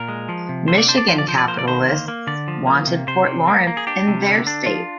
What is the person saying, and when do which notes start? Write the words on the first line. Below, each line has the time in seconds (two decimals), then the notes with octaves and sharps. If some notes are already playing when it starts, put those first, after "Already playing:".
Michigan capitalists wanted Port Lawrence in "their" state.
Already playing: A#2 A#4
0.09 G#3
0.29 F3
0.49 C3
0.68 D3 C5
0.78 D5
0.88 D4 C5
0.98 D5
1.08 F3 C5
1.18 D5
1.28 F3 C5
1.38 D5
1.48 A#3 C5
1.59 D5
1.68 D#3 C5
1.88 A#3
2.08 A#3
2.27 D3 D5
2.48 F3
2.67 A#3
2.87 C3
3.08 C3 C5
3.27 C3
3.48 A#3
3.67 A#3
3.77 G#4
3.87 D4 G4
4.07 C3
4.26 D3
4.47 D4
4.66 F3 F4